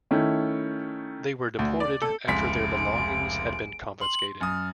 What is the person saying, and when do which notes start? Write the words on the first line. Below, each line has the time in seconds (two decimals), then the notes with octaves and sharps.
They were deported after their belongings had been confiscated.
0.11 D#3 A3 C#4 E4
1.59 D2
1.80 D5
2.02 A4
2.28 F1 C#2 B6 D7
4.01 C6 F#7
4.41 F#2 D#6 F6